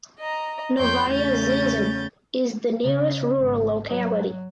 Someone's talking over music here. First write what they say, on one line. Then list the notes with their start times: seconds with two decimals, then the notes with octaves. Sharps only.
Novaya Zhizn is the nearest rural locality.
0.19 D#5 A#5
0.78 F2 C#5 G5 C6 G6
1.11 E2 C#3 A3 C#4 G6 A6
2.84 C#3
3.39 G#1
3.87 F#3